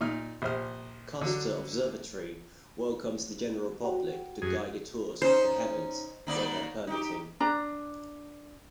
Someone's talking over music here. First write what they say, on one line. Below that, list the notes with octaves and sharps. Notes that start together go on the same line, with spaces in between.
Custer Observatory welcomes the general public to guided tours of the heavens-weather permitting.
A#2 D#4 F6
A#1 C3 C5 F6
D3 F#3
F#4 G4
F#2 G#4
C#4 D#4 C5
D#3 A#3 D5
D#4 G4
D4 A#5